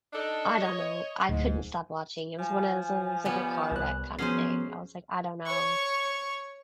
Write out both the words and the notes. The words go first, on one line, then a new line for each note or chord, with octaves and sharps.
I don't know, I couldn't stop watching, it was one of those, it's, like, a car wreck kinda thing. I was, like, I don't know.
D4 D#4 A4
C#5 D#5
D1 G#2
F3 G#5
G3 B3 C#5
C2 F#6
F3 F#3 B3 C#4 G#4 C5 C7
C#5 C#6